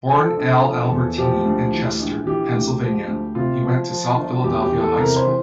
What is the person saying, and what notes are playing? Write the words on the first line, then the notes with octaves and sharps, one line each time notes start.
Born Al Albertini in Chester, Pennsylvania, he went to South Philadelphia High School.
F3 A4
A#1
F3
E2
F3 G4
D2
E3
A#1
E3 G4
D2
F3
D2
C3 F4
F3
F3
G1
E2 G4
G4
E3
A4
C3 A#4
C5
E3